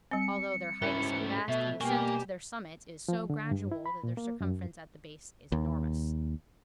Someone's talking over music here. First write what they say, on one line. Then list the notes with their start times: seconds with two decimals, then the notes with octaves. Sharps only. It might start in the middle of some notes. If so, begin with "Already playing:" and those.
Although their height is so vast, the ascent to their summits is so gradual that their circumference at the base is enormous.
0.11 G3 C4 C#7
0.82 G#2 C#4 E4 A#4
1.15 A3
1.48 B2 E5
1.81 B2 G3 A#3 G4 G#5 C#6
3.08 F3
3.30 D3
3.51 G2
3.71 E4
3.86 B5
4.03 A#2
4.17 A#3
4.40 F#2
5.52 D#2